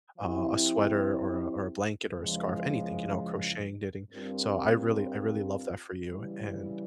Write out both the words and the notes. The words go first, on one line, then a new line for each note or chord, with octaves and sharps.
uh, a sweater or a or a blanket or a scarf, anything, you know, crocheting, knitting. So, I really I really love that for you and,
F3 C4 E4 G4
E2 C#3 F3 G#3
G2 G3 C4 F4 A#4
C#3 E3 G3